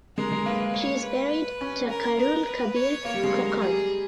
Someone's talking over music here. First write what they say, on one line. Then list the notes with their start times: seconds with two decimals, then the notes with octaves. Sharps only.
She is married to Khairul Kabir Khokon.
0.17 G#3 A#4
0.32 G#3
0.46 A#3 B4
0.74 C#5
1.03 B4
1.61 C#4
1.89 A#4
2.19 B3 A#4
2.47 B4
2.76 C#5
3.05 A#3 C#5
3.14 G3
3.24 G#3
3.34 A#4
3.62 G3 G#4